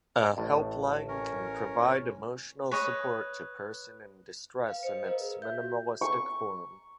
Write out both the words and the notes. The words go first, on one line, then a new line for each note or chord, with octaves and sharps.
A helpline can provide emotional support to person in distress in its minimalistic form.
A1 A2 D5
C#4 A#4
B4 C#5 D#5
B4 F5
C5 D#5 C#7
A#4 B4 F5
G#4
E5 G6
F#4
C#6